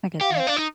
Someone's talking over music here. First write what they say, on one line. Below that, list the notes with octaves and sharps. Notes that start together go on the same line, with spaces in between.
I get that.
G4 F5
C4
D4
D#4